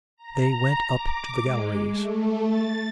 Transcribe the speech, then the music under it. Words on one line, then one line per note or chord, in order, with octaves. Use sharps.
They went up to the galleries.
A#5
D6
G#3
A3
A6